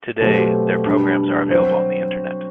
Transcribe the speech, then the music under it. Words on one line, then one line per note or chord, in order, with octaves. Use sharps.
Today, their programs are available on the Internet.
B2 F#3 A3 C4 G4
B2 G3 D4
F#3 C4 F#4 C5